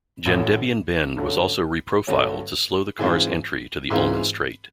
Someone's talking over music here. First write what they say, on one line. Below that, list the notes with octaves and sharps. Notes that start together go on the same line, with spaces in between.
Gendebien Bend was also re-profiled to slow the cars' entry to the Ullman straight.
A1 A2 F#3 A3 C#4
G2 D3 F#3 A3 C#4
G2 D3 F#3 A3 C#4
G#2 E3 G#3 C4 F4
G#2 E3 G#3 C4 F4